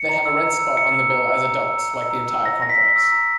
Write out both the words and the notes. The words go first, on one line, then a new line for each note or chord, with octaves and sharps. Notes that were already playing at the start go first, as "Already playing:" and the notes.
They have a red spot on the bill as adults, like the entire complex.
Already playing: C#7
A#5
E6
A#5
E6
A#5 C#7
E6
A#5
E6
A#5
E6
A#5
E6
A#5
E6
A#5 A#6
E6 A#6
B6
A#5
E6
A#5